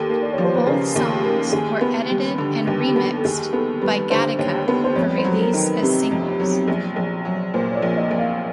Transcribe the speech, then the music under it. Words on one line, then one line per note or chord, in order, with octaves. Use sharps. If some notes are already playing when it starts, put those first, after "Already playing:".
Both songs were edited and remixed by Gatica for release as singles.
Already playing: D#2 A4
A#3
D5
C#5
F3
C5
B4
C#3 A#4
D#2
A#3
D#2 G#4
B3
G3
D3
D#2
B3
A4
D#2 G#4
B3 A4
G3 B4
D3 C5
D#2 C#5
B3
C5
F2 C#5
C5
F#3
A4
A#4
D#3
B4
C3
F2
F#3
A#1
A#1
F#3
A#2 C5
C#5
D5
A#1
D#5
A#1
F5